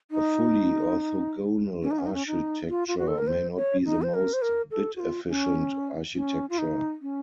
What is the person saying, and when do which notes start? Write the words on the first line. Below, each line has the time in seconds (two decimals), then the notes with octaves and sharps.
A fully orthogonal architecture may not be the most "bit efficient" architecture.
0.11 D#4
1.83 C#4
1.91 D#4
1.99 C#4
2.06 D#4
2.14 C#4
2.27 D#4
2.69 F4
2.88 F4
2.98 F#4
3.08 A4
3.18 A#4
3.27 C5
3.57 C#5
3.85 D#4
4.02 C5
4.14 A#4
4.33 C5
4.42 A#4
4.71 A4
4.96 F#4
5.00 F4
5.28 C#4
6.15 C#4
6.50 F4
6.58 D#4
7.02 C#4